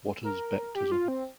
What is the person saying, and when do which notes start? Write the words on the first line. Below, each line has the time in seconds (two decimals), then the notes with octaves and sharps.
What is baptism?
0.24 A#4
0.75 G4
0.92 F4
1.08 C4